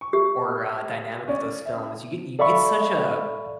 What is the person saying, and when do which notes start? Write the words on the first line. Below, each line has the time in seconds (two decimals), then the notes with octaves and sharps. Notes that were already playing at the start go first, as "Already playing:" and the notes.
or uh, dynamic with those films. You get you get such, uh,
0.01 C#6
0.13 G4 E5
1.28 C#4 D5
1.66 E5
2.39 A4 D5 E5 F5 B5 C#6